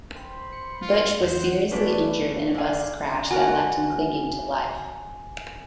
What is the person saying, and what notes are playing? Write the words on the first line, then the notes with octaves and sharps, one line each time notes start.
Butch was seriously injured in a bus crash that left him clinging to life.
C5 G5 B5 C6
C#7
F4
E2 E3 C5 F#5
E3 A3 B3 C#4 D4 B4
D3 D4 F5 G#5
F#4 A#4 G#5